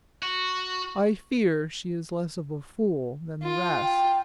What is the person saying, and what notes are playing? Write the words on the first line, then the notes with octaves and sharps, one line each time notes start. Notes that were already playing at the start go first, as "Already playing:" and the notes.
I fear she is less of a fool than the rest.
F#4
F4
G5